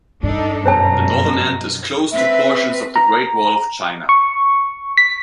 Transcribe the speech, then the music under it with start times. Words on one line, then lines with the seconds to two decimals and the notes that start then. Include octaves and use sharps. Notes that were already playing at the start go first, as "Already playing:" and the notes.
The northern end is close to portions of the Great Wall of China.
0.23 G2 D4 D#4 A4
0.66 F#2 B2 C5 C#5 A5 A#5
2.12 C4 B4 E5
2.96 A#5
4.09 C#6
4.97 B6